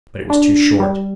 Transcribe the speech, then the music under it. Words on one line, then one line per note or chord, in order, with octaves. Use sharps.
But it was too short.
D4
G3